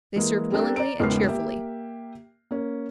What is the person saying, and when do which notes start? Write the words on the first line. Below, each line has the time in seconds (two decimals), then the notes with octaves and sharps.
They served willingly and cheerfully.
0.16 E3 G#3 A#3
0.52 G3 C4 D4 A4 A#4
0.76 D5 A#5 D7
1.00 E1 C#2 G#2 B3 F6 C7
1.28 A#3 G4 E5
2.51 A#3 C#4